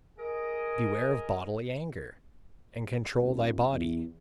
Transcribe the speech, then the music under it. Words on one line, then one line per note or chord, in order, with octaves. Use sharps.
Beware of bodily anger, and control thy body!
G#4 A#4 D#5
D#1
E2